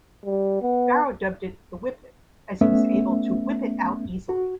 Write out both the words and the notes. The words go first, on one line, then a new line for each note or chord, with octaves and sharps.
Barrow dubbed it the "Whippit", as he was able to "whip it" out easily.
G3
B3
A3 B3 C#4 E5
F#4